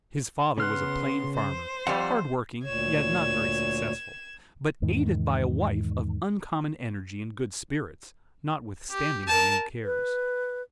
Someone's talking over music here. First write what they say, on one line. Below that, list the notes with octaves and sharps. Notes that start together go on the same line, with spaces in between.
His father was a plain farmer, hard-working, yet not very successful, but aided by a wife of uncommon energy and good spirits, notwithstanding her many cares.
C#3 B3 C6 F6 F#6
C5
F2 G3 D5 F#5
D2 A#2 C#5 G#6 E7
E2 G#2 D#3
G4
A#4 A5
B4